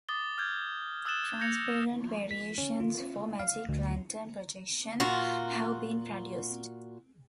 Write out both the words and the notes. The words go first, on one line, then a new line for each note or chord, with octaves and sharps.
Transparent variations for magic lantern projection have been produced.
D6 D#6 A6 G7
F6 G6 G#6
D#6 E6 F#6 A6 E7 G7
G6 G#6 A#6 C#7 F7
B6
C#4
F4
F5
D2
A#2 F4 F#4